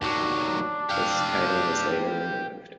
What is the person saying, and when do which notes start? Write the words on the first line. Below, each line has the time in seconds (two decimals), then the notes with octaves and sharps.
This title was later removed.
0.02 D#2 F#3 D4
0.89 G4 F5